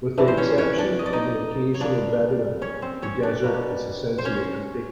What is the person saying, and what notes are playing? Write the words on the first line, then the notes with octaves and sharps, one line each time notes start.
With the exception of an occasional Bedouin, the desert is essentially empty.
C3 E3 A3 D4
C5
C#4 C#5
C#4 C#5
D4 D5
D#5
D5
D#4 D#5
C#5
D3 G3 A#3 D4 D5
C#4 C#5
C4 C5
C#4 C#5
D4 D5
B2 G3 A#3 C#4
C5
C#4 C#5